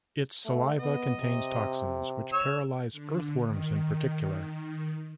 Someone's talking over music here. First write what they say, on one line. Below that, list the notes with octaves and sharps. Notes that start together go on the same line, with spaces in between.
Its saliva contains toxins which paralyze earthworms in particular.
A3
B3 D#5
C3
C#5 E6
D3
D#3